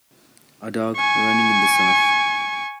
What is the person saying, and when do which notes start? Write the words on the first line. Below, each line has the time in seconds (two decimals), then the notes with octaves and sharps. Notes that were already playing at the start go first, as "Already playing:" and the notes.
A dog running in the surf.
0.97 G#5 C#6